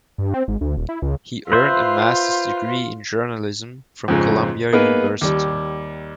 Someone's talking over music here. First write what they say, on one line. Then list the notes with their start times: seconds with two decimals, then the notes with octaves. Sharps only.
He earned a Master's degree in Journalism from Columbia University.
0.18 G2
0.34 C4
0.48 G#1
0.61 D2
0.77 D#1
0.89 E4
1.02 C#2
1.52 F4 B4 C5 E5
4.08 F2 G#2 C#3
4.72 A#3 B3 D#4 G#4 A#4 B4
5.21 D#2 G3